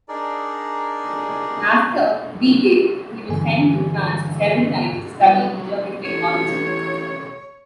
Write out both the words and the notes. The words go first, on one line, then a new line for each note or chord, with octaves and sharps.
After D-Day he was sent to France several times to study German technology.
D4 D#4 G#4 A#4 D5
G2 D3 E3 G#5
G3 B3 E4 F#4
F#3
A1 C#5